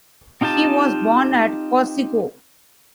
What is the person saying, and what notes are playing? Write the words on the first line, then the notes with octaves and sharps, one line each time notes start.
He was born at Corsico.
C4 D#4 F4 G4 A5